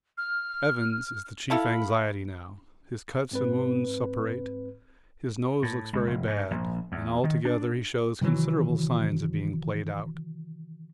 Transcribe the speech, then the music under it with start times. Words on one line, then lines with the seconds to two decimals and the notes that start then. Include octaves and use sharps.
Evans is the chief anxiety now; his cuts and wounds suppurate, his nose looks very bad, and altogether he shows considerable signs of being played out.
0.18 F6
1.50 E4 A4 F5 B5
3.31 G#2 C4 B4
5.62 A2
5.93 C#2
6.07 F1
6.27 G#2
6.51 A#1
6.92 E2
7.24 D#3
7.45 D4
8.21 C3 D#3 E3 F#3